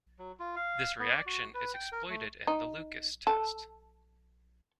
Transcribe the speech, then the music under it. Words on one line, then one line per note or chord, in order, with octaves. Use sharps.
This reaction is exploited in the Lucas test.
F#3
F4
F5
B3
D5
F#4
B4
G5
A#4
A3
D#4
A4